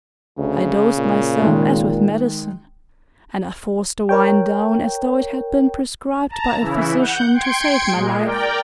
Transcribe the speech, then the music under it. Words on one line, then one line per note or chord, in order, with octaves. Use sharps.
I dosed myself as with medicine, and I forced the wine down as though it had been prescribed by a physician to save my life.
D2 C#3
A#2
D#3 G#3
A#4 C#5 G5
A5 A#5
C#3 E3 E4
F#5 G6
G5 C6 G#6 C#7 D7
A#2 G#3
A#4 D5 G5